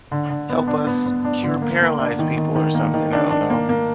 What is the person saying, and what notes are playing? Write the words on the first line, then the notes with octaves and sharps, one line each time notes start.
help us cure paralyzed people or something, I don't know.
D3
D3
B3
D4
B3
B3
D4
D3
A#3
A#3
D4
D#3
D#3
D#3
A#3
D#3
D4
D4
A#3
A#3